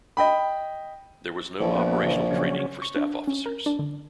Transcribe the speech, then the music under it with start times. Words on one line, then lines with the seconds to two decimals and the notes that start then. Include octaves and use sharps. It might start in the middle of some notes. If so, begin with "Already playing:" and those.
There was no operational training for staff officers.
0.17 D#5 G5 B5
1.60 A#1 E3
1.75 B3
2.03 C#3 E3 F3
2.31 C#3 F#3 C#4
2.82 C#6
2.96 D4
3.27 C#4
3.46 A#4
3.66 D4
3.79 D3